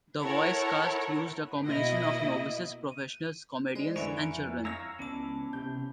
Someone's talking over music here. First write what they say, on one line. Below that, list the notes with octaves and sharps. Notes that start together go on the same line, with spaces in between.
The voice cast used a combination of novices, professionals, comedians, and children.
E4 A4 A#4 C#5 F#5
B2 A#3 E4 D#5
G#3 C5 D5 D#5
F2 D3 E3 A#4 B4 C#5 E5 G#5
C#5 F5 A#5 E6 G#6 A#6
C#2 E3 B3 C#4 D4 A5
C3 G6